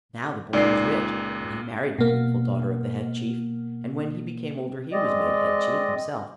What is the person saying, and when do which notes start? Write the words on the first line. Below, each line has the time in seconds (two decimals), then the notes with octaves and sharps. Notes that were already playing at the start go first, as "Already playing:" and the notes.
Now the boy was rich, and he married the beautiful daughter of the Head Chief, and when he became older he was made Head Chief himself.
0.53 C#2 A#2 D#4 D5 C7
1.99 B2 A#3
4.92 G#3 C4 D5 D#5